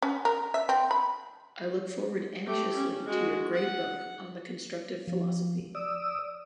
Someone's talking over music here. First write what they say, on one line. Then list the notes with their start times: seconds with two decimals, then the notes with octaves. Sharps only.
I look forward anxiously to your great book on the constructive philosophy.
0.02 C#4
0.25 A#4
0.54 E5
0.69 C4
0.91 B5
2.46 A3 G4
2.77 C#4
3.06 G#3 F#4
3.53 F#5
5.07 F3
5.75 D5 D#6 E6